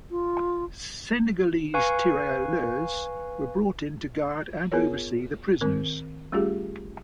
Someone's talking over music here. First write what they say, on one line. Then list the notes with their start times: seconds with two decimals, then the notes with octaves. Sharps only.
Senegalese Tirailleurs were brought in to guard and oversee the prisoners.
0.11 F4
1.74 B4 F5 G#5 C#6
4.72 B3 F4 G#4 A#4 C#5
5.61 D#3 C4 A#4
6.32 G3 A3 C#4 F4 G4 G#4